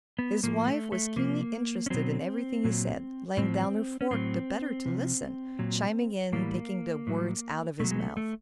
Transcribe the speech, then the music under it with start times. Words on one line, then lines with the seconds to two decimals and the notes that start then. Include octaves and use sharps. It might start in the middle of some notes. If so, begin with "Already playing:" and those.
His wife was keenly interested in everything he said, laying down her fork the better to listen, chiming in, taking the words out of his mouth.
0.19 B3
0.43 A2 F3 A#3
0.67 A3
0.92 A3
1.16 C3 F3 A#3
1.86 C#4
1.90 B2 F#3 C4
2.65 A#2 F#3
3.37 A2 F3 C4
4.01 C#4
4.11 A2 F#3 C4
4.86 C3 F3
5.59 A#2 F#3
6.33 A2 E3 G3 A#3
7.07 A2 F#3
7.80 B2 F#3 A3
7.91 G#3
7.99 A3
8.17 A3